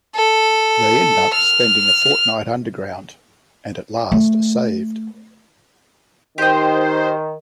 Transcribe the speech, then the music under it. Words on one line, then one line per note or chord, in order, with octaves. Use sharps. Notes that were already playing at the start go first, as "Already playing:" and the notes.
They end up spending a fortnight underground - and at last are saved.
A4
F6
A3
D#3 G4 C5 D#5